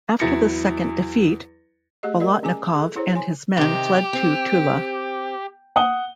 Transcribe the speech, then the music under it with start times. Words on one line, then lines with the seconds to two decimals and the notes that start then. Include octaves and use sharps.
After the second defeat, Bolotnikov and his men fled to Tula.
0.20 E2 F#3 E4 A6 A#6 C#7
2.03 A3 G4 G#4 D#5
2.20 A3 G4 A#4 D5 D#5
2.43 C#4 G#4 G#5 D6
2.75 G#4 A4
2.96 E4 G#4 C5 C#5 A#5
3.14 C#5 G#5 C6
3.57 C3 D#3 G4
4.13 C4
5.76 F#5 D#6 G7